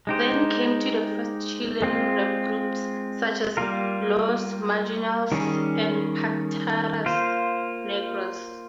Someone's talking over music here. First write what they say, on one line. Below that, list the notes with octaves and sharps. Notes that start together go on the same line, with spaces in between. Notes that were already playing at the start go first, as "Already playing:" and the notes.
Then came the first Chilean rap groups, such as "Los Marginales" and "Panteras Negras".
G#3 D#4 G4 C5
G#3 C4 F4
G3 A#3 F4 A#4
D#3 G3 C#4 G#4
A#3 F4 C5